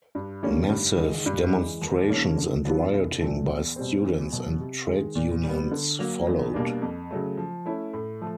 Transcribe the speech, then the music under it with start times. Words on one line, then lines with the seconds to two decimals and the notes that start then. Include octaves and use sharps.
Massive demonstrations and rioting by students and trade unions followed.
0.15 G2
0.43 D3 G3 A#3 C#4
0.69 G2
0.98 D#3 G#3
1.26 G2
1.54 E3 G#3
1.82 D#2
2.09 C#3 F3 A#3 C#4
2.37 D3
2.65 F#3 B3 D4 F4
2.93 C2
3.21 A#2 F#3 A3
3.48 E2
3.76 B2 G3 C4
4.04 E2
4.32 B2 F#3
4.60 C3
4.87 D#3 G#3
5.15 A#2
5.43 G3 B3
5.71 D3
5.99 F#3 A#3
6.27 E2
6.54 B2 G3 A#3 D4
6.82 F2
7.11 C#3 F#3 A3
7.37 F3
7.66 A3 C#4 E4
7.94 A2
8.22 F3 A3